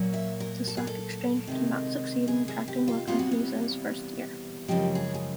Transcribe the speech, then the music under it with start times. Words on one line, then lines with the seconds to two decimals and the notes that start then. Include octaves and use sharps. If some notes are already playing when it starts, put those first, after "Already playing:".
The stock exchange did not succeed in attracting more companies in its first year.
Already playing: A#2 F#3 A#3
0.14 E5
0.40 A#4
0.67 A4
0.77 G#4
0.87 A4
1.47 C3 D#3 G#3
2.28 G#4
2.48 G#4
2.68 G4
2.88 F4
3.07 C3 E3 G3 B3 F4
3.19 F#4
3.32 F4
4.68 F#2 C#3 F3 G#3 G4
4.95 G#4
5.14 G#4